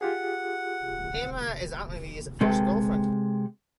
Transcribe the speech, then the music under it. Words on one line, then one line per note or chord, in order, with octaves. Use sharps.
Emma is Antony's first girlfriend.
F4 G4 G#4 F#5
C3 G#3 A4 B4 G5